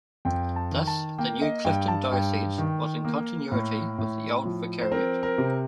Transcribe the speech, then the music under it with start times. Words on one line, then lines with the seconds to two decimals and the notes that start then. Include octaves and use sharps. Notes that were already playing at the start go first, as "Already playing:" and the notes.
Thus the new Clifton diocese was in continuity with the old vicariate.
0.25 F2 G5
0.56 A5
0.72 D#3
0.87 A5
1.18 A#3 G5
1.41 D#5
1.65 G2 G5
1.88 A5
2.11 G2 G5
2.58 D#3
3.04 A#3
3.52 A2
3.98 A2
4.45 F3
4.82 C5
4.92 C4 A#4
5.23 A#4
5.38 C3